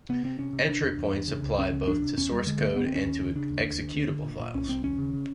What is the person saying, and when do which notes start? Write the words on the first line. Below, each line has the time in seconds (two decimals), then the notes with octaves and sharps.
Entry points apply both to source code and to executable files.
0.09 C3 B3
0.24 C3 C4
0.39 C3 C#4
0.53 C3
0.68 C3 D4
0.83 E2
0.98 E2
1.13 E2
1.28 C#3
1.42 C#2
1.58 C#3 C#4
1.73 C#2
1.87 E2 D4
2.02 C3
2.17 E2 C#4
2.31 E2 G3
2.47 D3 G#3
2.61 D2 A3
2.76 D2 B3
2.86 C4
2.91 D2 C#4
3.06 D#2
3.21 C#3
3.35 C#3 D4
3.50 D#2
3.65 D2
3.80 D2
3.94 D2
4.09 D3
4.24 A#2
4.40 A#2
4.54 C2 C#4
4.68 C2 C4
4.83 D#2 C#4
4.98 C#3
5.14 C#3